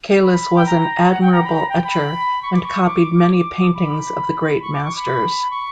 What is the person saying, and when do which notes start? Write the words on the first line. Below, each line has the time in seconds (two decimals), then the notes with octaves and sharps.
Caylus was an admirable etcher, and copied many paintings of the great masters.
0.23 B5
0.56 G5
0.66 A#5
1.11 F#5
1.22 G5
1.32 A#5
1.44 B5
1.55 A#5
1.69 G5
1.84 B5
2.43 C#6
2.53 D6
2.64 C#6
2.86 D6
3.31 D6
3.75 B5
4.62 C#6
4.73 D6
4.84 C#6
4.96 B5
5.51 C#6